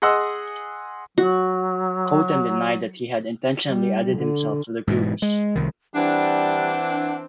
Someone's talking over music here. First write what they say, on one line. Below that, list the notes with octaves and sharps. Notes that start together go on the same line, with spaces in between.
Koten denied that he had intentionally added himself to the groups.
G#4 D#5 F#5 C6 E6
F#3 F#4
G3
D3
G#2 B2 E3
G#3
C2 D#3
E3 G3 C4 D4 F#5